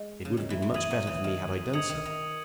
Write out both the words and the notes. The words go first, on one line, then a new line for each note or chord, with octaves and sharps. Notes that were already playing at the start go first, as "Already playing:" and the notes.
It would have been much better for me had I done so.
Already playing: G#3
C#3
D#3
E3
E3
E3 D#6 G#6 D#7 F#7
F#3
E3
D#3
D#3 D#6 G#6 C#7 F#7
D#3
D#3